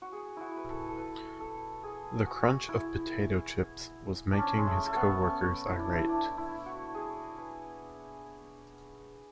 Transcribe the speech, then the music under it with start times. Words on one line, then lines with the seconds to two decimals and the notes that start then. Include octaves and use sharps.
The crunch of potato-chips was making his co-workers irate.
0.02 F#4
0.12 G#4
0.37 E4 F#4
0.57 B4
0.70 A4
0.89 A4
0.97 B4
1.40 A4
1.83 G#4
2.26 F#4
2.69 E4
4.33 D4
4.39 C#4
4.57 G#3
4.67 A3
4.87 A3
4.96 B3
5.25 C#4
5.67 E4
5.79 D4
5.92 E4
6.09 D4
6.37 E4
6.66 F#4
6.94 G#4
7.37 B4